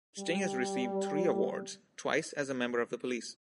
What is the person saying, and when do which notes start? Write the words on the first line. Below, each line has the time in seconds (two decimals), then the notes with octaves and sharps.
Sting has received three awards, twice as a member of The Police.
0.19 G3